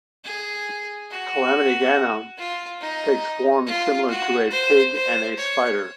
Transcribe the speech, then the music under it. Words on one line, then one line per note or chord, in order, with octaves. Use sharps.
Calamity Ganon takes forms similar to a pig and a spider.
G#4
F#4
F4
D#4
F4
F#4
C5
C5
C#5